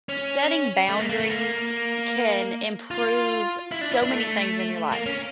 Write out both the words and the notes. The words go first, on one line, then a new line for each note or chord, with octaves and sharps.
setting boundaries can improve so many things in your life,
C#4
A3
A#3
A#3
A3
A#3
F4
E4
D4
E4
D4
A3
A#3
C#4